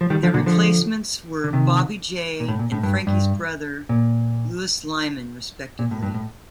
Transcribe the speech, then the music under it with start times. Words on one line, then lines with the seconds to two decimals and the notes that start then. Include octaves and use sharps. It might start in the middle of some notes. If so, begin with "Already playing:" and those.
Their replacements were Bobby Jay and Frankie's brother Lewis Lymon, respectively.
0.01 F3
0.10 D#3 G3
0.23 D3 F3
0.34 A#2 D3
0.46 D3 F3
1.44 D3
1.53 C3 D#3
2.40 A#2
2.48 A2
2.59 A#2
2.72 A2
2.83 G2
3.07 G2
3.89 A#2
5.79 A#2
5.91 A2
6.03 G2
6.14 A2